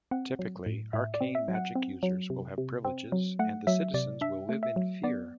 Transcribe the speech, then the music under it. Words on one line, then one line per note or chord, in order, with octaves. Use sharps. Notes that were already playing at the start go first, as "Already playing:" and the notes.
Typically, arcane magic users will have privileges, and the citizens will live in fear.
C4 F#5
F#3
A2
A2 E5
D5
C4
E5
F#3
F#5
C4
F#3
C3
C3
C4
F#3
A3 F#5
F#3 E5
C3 D5
D4 E5
A3
E5
F#3
B3 D5